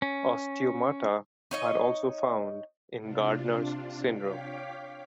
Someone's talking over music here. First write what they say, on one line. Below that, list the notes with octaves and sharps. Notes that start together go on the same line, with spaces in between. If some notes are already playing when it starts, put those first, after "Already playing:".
Osteomata are also found in Gardner's syndrome.
C#4
D#4 C#5 D#5
C3 D4 F4
C#5 F5 G5 D6 B6